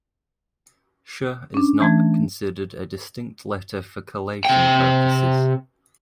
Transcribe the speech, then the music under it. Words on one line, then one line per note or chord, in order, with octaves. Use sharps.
"Sh" is not considered a distinct letter for collation purposes.
C#4 D4
E3 A3 G#6
C3 G5